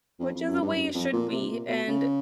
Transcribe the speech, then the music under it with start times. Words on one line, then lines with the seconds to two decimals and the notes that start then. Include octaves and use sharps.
Which is the way it should be, and
0.20 F2
0.34 F2
0.47 F#2
0.61 G2
0.76 F#2
0.94 F2
1.13 A#2
1.31 C3
1.50 A#2
1.69 B2
1.88 C#3